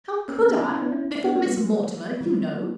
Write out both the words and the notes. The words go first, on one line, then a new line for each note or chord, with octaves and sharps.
"How could I, before Miss Mortimer, you know!"
A#3 C#4
A#3 C#4
B3 D4
C#4 E4
C#4 E4
B3 D4
C#4 E4
E4
B3 D4
A#3 C#4
G3 B3
F#3 A#3
E3 G3
F#3 A#3